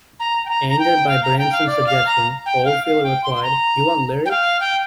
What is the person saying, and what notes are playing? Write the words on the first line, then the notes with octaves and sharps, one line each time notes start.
Angered by Branson's suggestion, Oldfield replied, You want lyrics!?
A#5
G5
A#5
A#5
G5
F5
A#5
G5
F5
D5
F5
A#5
G5
F5
F5
G5
C6
C6
A#5
G5
F5
G5